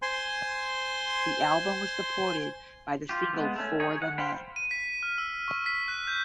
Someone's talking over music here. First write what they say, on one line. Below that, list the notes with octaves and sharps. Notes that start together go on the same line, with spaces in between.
The album was supported by the single "For the Men".
C5 G#5 C6
F4 G4
G#3 B3
A3 C#4
D#4 G#4 C#5
F#5
C5 F5 G5 B5
D#7
B6
F6
E6
C#6
B6
F#6
G6